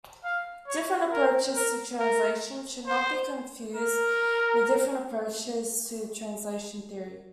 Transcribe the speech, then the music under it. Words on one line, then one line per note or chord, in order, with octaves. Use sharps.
Different approaches to translation should not be confused with different approaches to translation theory.
F5
C#5
A#4
A#4
A#4
C5
A#4